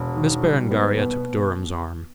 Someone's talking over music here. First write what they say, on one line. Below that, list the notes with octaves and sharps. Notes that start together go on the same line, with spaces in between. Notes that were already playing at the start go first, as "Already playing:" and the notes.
Miss Berengaria took Durham's arm.
Already playing: E1
D#3
G3
B3
B2